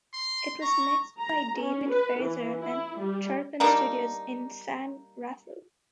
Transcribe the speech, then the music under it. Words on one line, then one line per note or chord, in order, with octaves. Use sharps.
It was mixed by David Frazer at Tarpan Studios in San Rafael.
C6
A#5 C#6
A#5
C#4
B4
E3
E4
G3
G3 A#3 D4 D#4